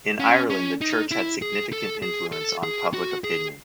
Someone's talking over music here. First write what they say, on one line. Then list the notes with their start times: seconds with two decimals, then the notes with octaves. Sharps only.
In Ireland the church had significant influence on public opinion.
0.20 C#4
0.50 C#4
0.81 D#4
1.11 E4
1.42 G#4
1.72 A4
2.02 G#4
2.32 A4
2.63 G#4
2.94 F#4
3.24 G#4